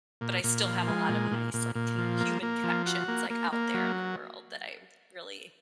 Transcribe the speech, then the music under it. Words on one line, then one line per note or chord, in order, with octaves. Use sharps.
But I still have a lot of nice like, connec human connections, like, out there in the world that I really
A#2
A#2
F3
G#3
A#2
A#2
A#2
A#2
F3
A#3
A#3
F3
F#4
A#3
A#3
A#3
F#3